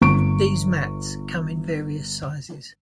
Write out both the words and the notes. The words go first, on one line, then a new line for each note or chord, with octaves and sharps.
These mats come in various sizes.
G1 C#6 D7